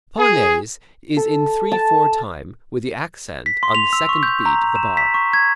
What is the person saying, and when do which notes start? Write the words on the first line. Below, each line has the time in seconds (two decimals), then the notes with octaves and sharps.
The Polonaise is in three-four time, with the accent on the second beat of the bar.
0.18 G#4
1.17 A4
1.72 A5
3.46 B6
3.63 C6
3.75 F7
3.93 E6
4.09 C#6
4.23 G6
4.46 A#5
4.76 E7
4.97 B6
5.14 C#6
5.33 G#6